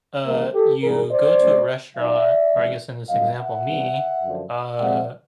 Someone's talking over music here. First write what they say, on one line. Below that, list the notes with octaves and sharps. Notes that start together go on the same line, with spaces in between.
uh, you go to a restaurant, or I guess in this example, me, uh
C#3 E3 G3 A#3
G4 A4
G#2 E3 G3 B3 D4 G#4 A#4
C5 D5
B2 G#3 C#4
A#2 F#3 B3 D#4 D5 E5
C#2 C3 E3 G#3
G2 D3 F#3 B3 D#5 F5
E5 F#5
C3 E3 G3 B3
F#2 D3 F3
F2 C3 F3 G#3 C4 E5 F#5